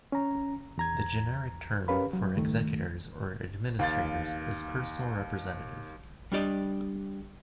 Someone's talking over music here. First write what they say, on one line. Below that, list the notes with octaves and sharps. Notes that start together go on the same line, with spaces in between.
The generic term for executors or administrators is personal representative.
C#4 A#5
E2 A#5 G#6
C#4 G4 A#4 B4 F5 B5
F#3
C#2 G2 D#3 A3
D#2 F5 A6
G3 D4 G4 D5 D#5